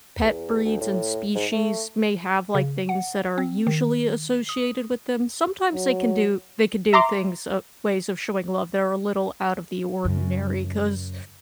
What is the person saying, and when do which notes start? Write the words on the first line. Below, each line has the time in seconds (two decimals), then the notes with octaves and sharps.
pet breeds and species may have, like, things that are usually associated with them, sometimes they can do they can do things uh, ways of showing love that are a little out of the ordinary, 'cause
0.22 E2
0.65 D2
0.81 A2
1.35 G#2
1.53 A3
2.55 C#3
2.89 F#5
3.38 C4
3.67 D#3
4.49 D#6
5.74 F#3
6.93 E5 A#5 C6 D6
10.04 F#2 C#3